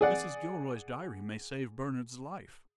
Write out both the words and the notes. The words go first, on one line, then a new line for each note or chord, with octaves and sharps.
Mrs. Gilroy's diary may save Bernard's life.
G#4 D5 F#5